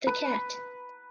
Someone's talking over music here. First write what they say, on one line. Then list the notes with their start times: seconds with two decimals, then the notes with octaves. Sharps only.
The Cat.
0.07 B4